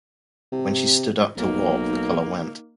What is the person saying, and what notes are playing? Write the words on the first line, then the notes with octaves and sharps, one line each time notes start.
But when she stood up to walk, the colour went.
C3
B1 A#3 D#4